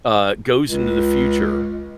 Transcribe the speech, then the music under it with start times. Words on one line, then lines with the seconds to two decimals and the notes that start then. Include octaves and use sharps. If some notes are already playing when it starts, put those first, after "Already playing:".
uh, goes into the future
0.68 C#2